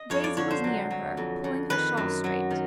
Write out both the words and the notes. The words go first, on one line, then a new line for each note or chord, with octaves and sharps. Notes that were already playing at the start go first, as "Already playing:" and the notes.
Daisy was near her, pulling her shawl straight.
Already playing: D#5
F2 C#5
D5
D3 C#5
C5
F#3
F#3
F2
F2
D#3 B4
F#2
F#3
D#3